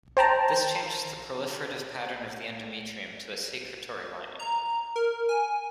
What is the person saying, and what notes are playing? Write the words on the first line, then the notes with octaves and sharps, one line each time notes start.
This changes the proliferative pattern of the endometrium to a secretory lining.
C5 G5 A5 A#5
A#5
A#4
G#5